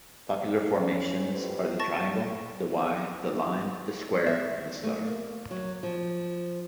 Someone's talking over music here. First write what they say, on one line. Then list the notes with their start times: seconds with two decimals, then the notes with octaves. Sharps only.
Popular formations are the triangle, the Y, the line, the square and the star.
0.77 C#4
1.31 F2 A2 F#3 G3 C4 B4
1.79 A5 C#6 A6 A#6
4.26 E5
4.83 A3
5.06 A#3
5.51 F#3
5.83 F3